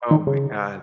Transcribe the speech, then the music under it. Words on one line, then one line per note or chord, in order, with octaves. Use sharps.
Oh my god.
D#3
C#3